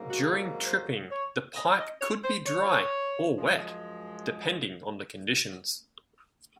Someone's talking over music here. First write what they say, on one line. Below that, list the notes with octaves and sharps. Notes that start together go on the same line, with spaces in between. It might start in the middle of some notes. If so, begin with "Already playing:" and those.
During tripping, the pipe could be dry or wet depending on the conditions.
Already playing: G#2 F#3 A#3
F#4
G#4
C5
C#5
D#5
D#5
C#5
C5
C#5
F#2 F3 G#3